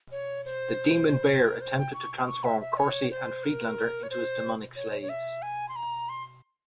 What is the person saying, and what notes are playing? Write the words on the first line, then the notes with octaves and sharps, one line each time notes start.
The Demon Bear attempted to transform Corsi and Friedlander into his demonic slaves.
C#5
C5
C5
A#4
C5
G5
C#6
C#6
E5
E5
C#5
C5
A#4
C#5
C5
C#5
C#5
E5
G#5
C6
A#5
C6